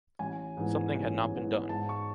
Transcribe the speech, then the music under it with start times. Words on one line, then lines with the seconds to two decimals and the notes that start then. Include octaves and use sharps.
Something had not been done.
0.19 A1 G#5
0.57 G#2 E3 B3
0.95 A1
1.32 G#2 E3 B3
1.69 G#2 A5
1.89 C#6